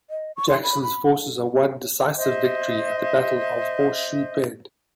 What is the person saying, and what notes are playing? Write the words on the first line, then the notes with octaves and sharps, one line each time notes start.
Jackson's forces won a decisive victory at the Battle of Horseshoe Bend.
D#5
C#6
C6
B5
B5
C5 D#5 E5